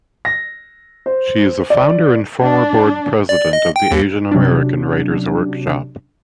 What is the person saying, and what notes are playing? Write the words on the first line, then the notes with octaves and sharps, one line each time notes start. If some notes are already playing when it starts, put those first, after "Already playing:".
She is a founder and former Board President of the Asian American Writers' Workshop.
A#6
C5
D5
D4
D5
D#5
G5
D#2
C3 F#3 C#4 D4